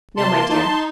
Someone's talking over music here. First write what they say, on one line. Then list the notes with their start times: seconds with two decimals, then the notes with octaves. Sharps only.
"No, my dear."
0.17 C3 A5 C6
0.34 A#3
0.50 D#4 A5 C6
0.68 D#4